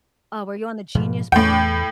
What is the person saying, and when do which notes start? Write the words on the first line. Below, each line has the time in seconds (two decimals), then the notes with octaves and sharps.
Oh, were you on the Genius Bar?
0.95 G#2 B2 F3
1.32 E2 A2 G5